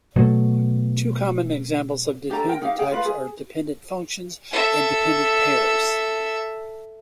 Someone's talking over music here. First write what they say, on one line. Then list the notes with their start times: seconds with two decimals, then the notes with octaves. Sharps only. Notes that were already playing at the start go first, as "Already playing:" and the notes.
Two common examples of dependent types are dependent functions and dependent pairs.
0.16 B2 F#3 A3
2.30 D4 G4 A4 A#5
2.49 A#4 G5
2.62 D#4 G4 F5
2.79 G#4 G5
2.92 F4 B4 F5
3.05 G#4
4.52 A4 E5